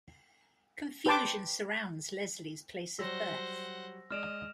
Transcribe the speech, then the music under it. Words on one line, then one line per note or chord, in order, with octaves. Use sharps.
Confusion surrounds Leslie's place of birth.
G4 B4 G5 A5 C6 D6
F#3 G3 C5 C#5 F#5 E6 A#6
G#3 D5 D#5 F6 D7 E7 F7